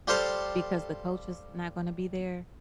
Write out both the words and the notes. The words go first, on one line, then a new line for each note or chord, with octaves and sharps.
Because the coach is not gonna be there?
G3 F4 G4 A4 C5 F5